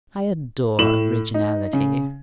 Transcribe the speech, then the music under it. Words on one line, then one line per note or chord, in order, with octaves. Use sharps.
I adore originality.
A2 E7 F#7
D#4
C#3